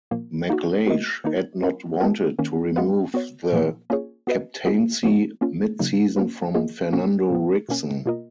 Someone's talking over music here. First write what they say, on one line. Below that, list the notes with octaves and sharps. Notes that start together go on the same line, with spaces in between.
McLeish had not wanted to remove the captaincy mid-season from Fernando Ricksen.
A#2 F3 A#3
A#3 D#4 F#4
B3 F#4 A#4 D#5
D#3 A#3 D#4 A#4
F#3 C#4 F4 A#4
G#3 B3 F4 A#4
D#3 A#3 C#4
G#3 B3 F#4 B4 F5
B3 F#4 C#5
A#2 F3 A#3
A#3 C#4 F4 G#4 C#5
B3 F#4 B4 D#5
B3 F4 G#4 D#5
F3 B3 F#4 C#5
A#3 C#4 F4
C#3 F#3 A#3 D#4
A#3 C#4 F#4 B4
F3 A#3 F4 G#4 D#5
B2 A#3 C#4 F#4
A#2 F3 B3
B2 A#3 C#4
B2 A#3 F4 A#4 D#5